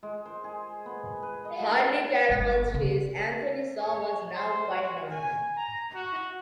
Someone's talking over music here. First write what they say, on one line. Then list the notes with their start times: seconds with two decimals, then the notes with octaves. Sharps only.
Harley Caramel's face, Anthony saw, was now quite normal.
0.03 G#3
0.26 C5
0.44 G#4
0.86 B3
1.23 B4
1.45 D#5
2.29 G1 G#3
2.74 C#3 F4
3.80 C#5
4.35 C5
4.70 F#4
5.11 G#5
5.57 A#5
5.94 F#4